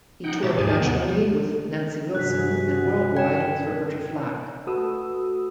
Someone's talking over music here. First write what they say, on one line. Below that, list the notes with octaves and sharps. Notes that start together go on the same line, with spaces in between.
He toured nationally with Nancy Wilson and worldwide with Roberta Flack.
D#4 F#5 G5
B2 F#3 G4 E5 A#5 A6
D#2 G#2 G#4 D5 G#5 A5
C3 B3
G2 C3 F#4 G#4 F#6 B6
G5 G#6 E7
A3 F#4 A4 B4 D#6 E6